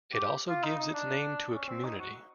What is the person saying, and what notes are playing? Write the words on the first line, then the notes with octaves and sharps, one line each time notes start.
It also gives its name to a community.
G4
F4
D#4
D#4
D4
C#4
C4
D#4
F#4